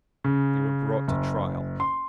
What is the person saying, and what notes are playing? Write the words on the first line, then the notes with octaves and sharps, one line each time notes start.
They were brought to trial.
C#3
F#1
C6